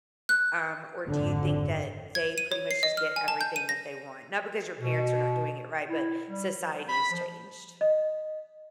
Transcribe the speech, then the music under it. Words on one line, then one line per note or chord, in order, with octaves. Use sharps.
Um, or do you think that they pretty much just get everything that they want? Not because your parents are not doing it right, but society's changed.
F#6
G#1 F2 D3
G#6
D#7
C#5
C7
D#5
F6
G#5
A5
G6
D#7
A#6
B2
E4
G3
F3
B5
F3
D#5